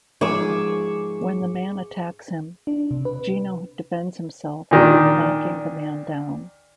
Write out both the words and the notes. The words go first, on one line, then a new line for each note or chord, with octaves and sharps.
When the man attacks him, Gino defends himself, knocking the man down.
G#2 F3 G#4 C#6 D6 E6
D4
C3
B4
A#2 D#3 D4